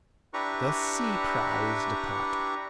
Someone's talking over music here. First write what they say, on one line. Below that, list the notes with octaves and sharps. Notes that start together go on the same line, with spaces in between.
"The Sea Prize Department."
D4 E4 G4 B4 A#5 C#6